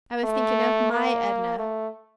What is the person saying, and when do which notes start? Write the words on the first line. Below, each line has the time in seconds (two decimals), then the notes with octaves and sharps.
I was thinking of MY Edna.
0.24 A3
0.92 A#3
1.59 A3